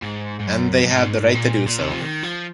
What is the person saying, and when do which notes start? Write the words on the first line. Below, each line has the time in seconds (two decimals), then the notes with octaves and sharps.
And they have the right to do so.
0.02 G#2
0.40 G#2
0.47 F#2
0.83 F#2
0.91 G#2
1.35 A#2
1.68 A#2
1.79 C3
1.91 F3
2.01 D#3
2.23 F3